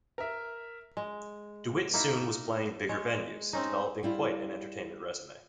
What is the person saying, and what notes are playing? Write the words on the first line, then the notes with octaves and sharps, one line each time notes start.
DeWitt soon was playing bigger venues, developing quite an entertainment resume.
A#4 E5
G#3
A#3 D#4 E4
G#3 C#5
C4 C#4 D#4
G3 E4 F4